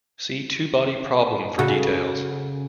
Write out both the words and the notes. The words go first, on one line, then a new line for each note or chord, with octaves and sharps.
See two-body problem for details.
C#3 F#4 A4